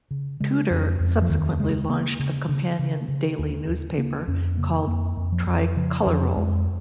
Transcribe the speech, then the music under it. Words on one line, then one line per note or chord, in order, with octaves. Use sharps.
Tudor subsequently launched a companion daily newspaper called "Tricolorul".
C#3
C#3 G#3
F2
F2
F3
D#2 D#3
C#3 G#3
C#3 A#3
C#3
C#3
C#3
C#3
D#2
D#2
C#3 A#3
F2 C#4
C#3 A#3
F2 A#3
F2
F3
F2
C#3 F3
F2 F3
F2 G#3